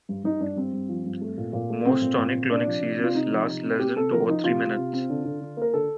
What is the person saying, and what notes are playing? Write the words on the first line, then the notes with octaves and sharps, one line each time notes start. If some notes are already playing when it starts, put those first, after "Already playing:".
Most tonic-clonic seizures last less than two or three minutes.
G2
G2 D#4
G2 D4
G2 C4
G2
F3
G2
A3
A#2
A#2
A3
C4
A#2
A#2
A#2
C3 D4
F3
C3
C4
F4
C3 D#4
F3
C3
C4
C4 G4
C3 A4
F3 A#4
F3 D#4
C3 F4
C3
C3
C4
D3
D3
D3
A#3 A#4
D3 A4